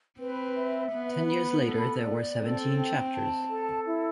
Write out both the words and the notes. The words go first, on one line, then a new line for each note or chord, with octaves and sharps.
Ten years later, there were seventeen chapters.
C4 B4
E5
B3 B4
B5
A4
D5
C4 A4
G5
A5
A4
E4